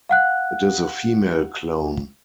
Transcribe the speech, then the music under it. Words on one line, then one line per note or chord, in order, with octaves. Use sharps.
It is a female clone.
F5 F#5 F#6